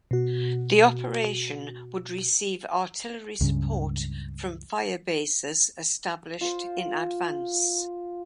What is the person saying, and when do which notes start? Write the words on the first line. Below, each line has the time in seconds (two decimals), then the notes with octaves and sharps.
The operation would receive artillery support from fire bases established in advance.
0.11 B2 F#4
3.41 C#2 G2 C#3
6.41 F4 C5